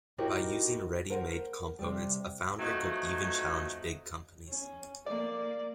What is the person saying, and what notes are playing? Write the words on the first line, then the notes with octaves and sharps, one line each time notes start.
By using ready-made components a founder could even challenge big companies.
D#4 E4 F#4 G4 A#4 D#5
A#4 C5 F#5
C3 G3
F3 F#3 A3 B3 C4 D#4
C#4
A#3 D5